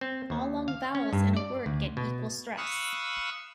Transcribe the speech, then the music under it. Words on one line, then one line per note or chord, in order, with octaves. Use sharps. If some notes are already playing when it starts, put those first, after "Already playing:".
All long vowels in a word get equal stress.
C4
D#2
F5
C#4
G2
D5
D2
B2
F5 B5 C#6 D#6 E6 F#6